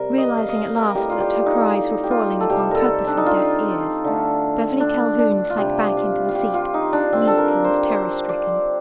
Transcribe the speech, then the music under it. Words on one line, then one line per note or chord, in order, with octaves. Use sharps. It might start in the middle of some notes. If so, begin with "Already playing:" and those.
Realizing at last that her cries were falling upon purposely deaf ears, Beverly Calhoun sank back into the seat, weak and terror-stricken.
Already playing: C3 G3 A#4
D#5
F5
D#5
F5
A#4
A2 G3 G4
F4
G4
D#4
G4
F4
A4
C3 G3 G4
A4 A#4
D4
D#4
F4
D3 A3
D4
D4
F4
C3 G3 G4
F4
F4
G4
F4
D#4
D4
D3 G3 C4
A4
A#4
C5
C5
D5